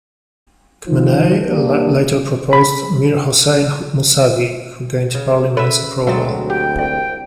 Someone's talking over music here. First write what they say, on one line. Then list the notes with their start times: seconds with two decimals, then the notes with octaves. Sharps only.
Khamenei later proposed Mir-Hossein Mousavi, who gained Parliament's approval.
0.87 D#3 F3
1.48 G3 A#3 D4
2.53 B5
5.14 C#3
5.57 A4 B4 C#5 E5 B5
6.07 D2 F#3 G#3 C4 E5 A6
6.50 G4 G5
6.79 C2 D5 G5